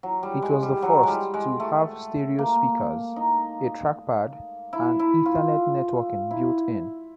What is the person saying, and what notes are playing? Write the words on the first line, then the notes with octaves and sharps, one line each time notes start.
It was the first to have stereo speakers, a trackpad, and Ethernet networking built-in.
F#3
G3
G#3
G3
F#3
G3 G#3
G#3
A3
A#3
D#4
E4
E4
F4
E4